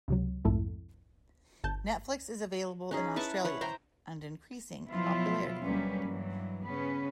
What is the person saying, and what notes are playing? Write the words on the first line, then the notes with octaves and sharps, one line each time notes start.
Netflix is available in Australia and increasing in popularity.
C#2 C3 F#3
B1 F2 G#2 A3 E4 A4
G1 A5 G6
C#4 D#4 G#4
E4 B4 A5 C#6
B4 C#5 F#5
C5 E5 G5 A#5
B2 F3 F#3 B3 E4 F4
D2 F#3 G3 A#3 C#4 B4
G2 E3 F#3
C#3 B3 C#4 B4